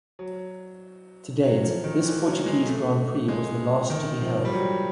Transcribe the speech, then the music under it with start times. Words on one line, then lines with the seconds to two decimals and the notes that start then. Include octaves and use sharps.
To date, this Portuguese Grand Prix was the last to be held.
0.19 F#3
1.43 F#3
1.64 F3
1.84 D#3
2.05 E3
2.26 F#3
2.46 G#3
2.66 A3
3.28 G#3
3.90 D#3
4.21 F3
4.45 G3
4.52 F#3